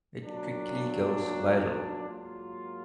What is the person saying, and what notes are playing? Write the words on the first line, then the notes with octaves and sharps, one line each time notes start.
It quickly goes viral.
B1 A#2 F#3 D4
G#2 F#3 A#3 F4